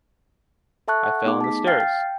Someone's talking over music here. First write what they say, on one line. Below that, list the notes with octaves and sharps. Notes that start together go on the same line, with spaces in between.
I fell in the stairs.
A4 E5 A5 C#6 F#6
F#5
A3 B3 D#4 G#4 D6
A5 B6
F5 G5 F6 A6 C7
G5